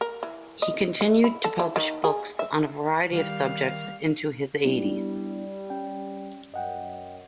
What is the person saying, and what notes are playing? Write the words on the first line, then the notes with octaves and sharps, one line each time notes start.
He continued to publish books on a variety of subjects into his eighties.
A#4
E3
D#5
G#3
E4
A4
E3
D#3
G#4
E5
D#3 G3 F5
G3 B3 D4 E4
C#4 G5
F#2 D#5 F#5 G5